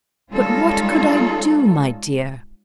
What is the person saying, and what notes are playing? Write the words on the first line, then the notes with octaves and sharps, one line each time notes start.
'But what could I do, my dear?
G3 G#3 C#4 D#4 F4 A4